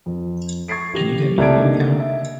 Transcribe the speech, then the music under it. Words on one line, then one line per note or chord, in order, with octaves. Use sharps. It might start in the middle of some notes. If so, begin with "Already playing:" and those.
Can you get me a new account?
F2
C#6 G#6 A6 C7 D7
A1 G4 A#6 F7
C2 A3 D5 A5 G#6 D7
D3 A#3 D#4
E5